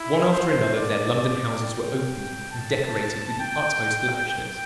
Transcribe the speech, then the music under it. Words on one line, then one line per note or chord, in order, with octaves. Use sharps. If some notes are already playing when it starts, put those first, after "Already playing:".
One after another their London houses were opened and decorated with the utmost lavishness.
Already playing: E4
C5
D5
G5
A5
G5
G5